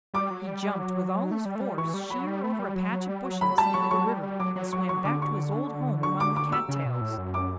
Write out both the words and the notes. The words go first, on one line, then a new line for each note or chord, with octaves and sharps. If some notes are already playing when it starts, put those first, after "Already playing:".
He jumped with all his force sheer over a patch of bushes into the river, and swam back to his old home among the cat-tails.
G3 D6
F#3
G3
G3
F#3
A3
G3
A3
G3
E3 C#6
G3
F#3 B5
G3
A3
G3
F#3
F#3
G3
F#3
F#3 B5
G3 A5
F#3 C#6
F#3 C#6
G3
G3
F#3 D6
F#3
F#3 C#6
C#6
D3 D6
C#6
C#6
D6
D6
E6
C#3
B2
A2
F#2
D6